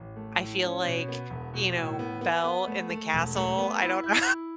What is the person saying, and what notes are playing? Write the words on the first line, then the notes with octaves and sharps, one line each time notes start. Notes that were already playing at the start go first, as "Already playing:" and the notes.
I feel like, you know, Belle in the castle, I don't know.
Already playing: A1
A3
A2
C#4
B2
B3
E1
B2
A2
B3
B3
B3
A3
A3
E1
A3
B3
E4
E4
E4